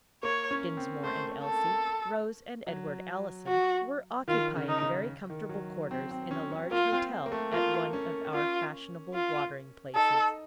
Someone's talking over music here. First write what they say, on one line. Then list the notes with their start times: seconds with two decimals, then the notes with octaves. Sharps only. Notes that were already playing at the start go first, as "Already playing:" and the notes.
Dinsmore and Elsie, Rose and Edward Allison--were occupying very comfortable quarters in a large hotel at one of our fashionable watering-places.
0.23 A#3 C#5
0.51 C#4
0.77 C4
1.04 A3 C5
1.45 A4
2.67 F#3
3.47 F#4
4.28 D#3 F4
4.56 C#3
4.69 D#4
4.82 C#3
5.30 D#3
5.49 F#3
5.91 C4
6.11 C4
6.31 C#4
6.52 C#4
6.71 A#3 F4
6.92 C4
7.26 A#3
7.32 A3
7.52 A#3 F4
7.93 C#4
8.34 F4
9.14 F4
9.95 D#4 A4